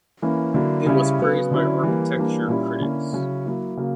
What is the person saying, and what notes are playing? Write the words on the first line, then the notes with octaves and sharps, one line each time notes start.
It was praised by architecture critics.
E3 A#3 C#4 E4
D3 F#3 A#3 E4
C#3 G3 C#4 E4
C#3 F#3 B3
D3 F#3 C#4 E4
E3 G3 A#3
E3 G3 A#3 D4
A#2 G3 C#4 E4
D3 A#3 C#4 E4
C#3 F#3 C#4 E4
F#3 A#3 E4
C#3 F#3 A#3